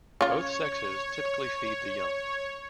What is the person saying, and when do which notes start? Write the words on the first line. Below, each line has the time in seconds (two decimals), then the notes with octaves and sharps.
Both sexes typically feed the young.
0.21 C#3 F4 C#5